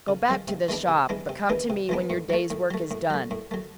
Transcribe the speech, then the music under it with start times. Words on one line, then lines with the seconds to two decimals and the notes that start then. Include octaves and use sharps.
Go back to the shop--but come to me when your day's work is done.
0.08 C#3
0.29 F3 G#3 C4
0.48 C3
0.68 E3 G#3 B3 D4
0.89 C3
1.09 E3 G#3 B3 D4
1.29 C3
1.49 E3 G#3 B3 D4
1.70 C3
1.89 E3 G#3 B3 D4
2.10 A2
2.30 F#3 A3
2.50 A2
2.71 F#3 A3
2.91 A2
3.10 F#3 A3
3.31 A2
3.51 F#3 A3